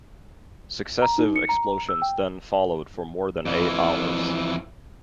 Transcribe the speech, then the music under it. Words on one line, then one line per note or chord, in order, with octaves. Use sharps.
Successive explosions then followed for more than eight hours.
A#5
D#4
C#7
A#5
E6
G5
F2 E3